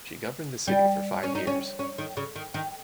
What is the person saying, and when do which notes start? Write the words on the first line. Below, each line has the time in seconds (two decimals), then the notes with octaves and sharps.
She governed the city for five years.
0.67 G3
1.23 C#4
1.35 D#4
1.47 C#4
1.79 C#4
1.98 D#3
2.17 C#3
2.36 D#3
2.54 D#3